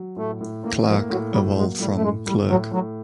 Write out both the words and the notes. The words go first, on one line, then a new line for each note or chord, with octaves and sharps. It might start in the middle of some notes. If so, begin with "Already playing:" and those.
"Clark" evolved from "clerk".
Already playing: F#3
A2 A3
A2
A2 A#3
F3 A#3
A2 F#3
F#3 G3
G#3 A#3
A2 G3
A3
A2 G#3
A2 G3
A2 F#3
A2 F#3